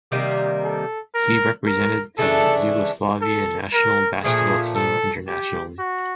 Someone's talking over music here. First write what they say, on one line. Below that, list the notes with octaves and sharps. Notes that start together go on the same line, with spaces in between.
He represented the Yugoslavia national basketball team internationally.
C3 D#3 G3 A#3 G4
A4
A#4
A#4
C#3 E3 A3 D4 A4
A4
A#4
A#2 F3 A3 G#4
A4
G4
F#4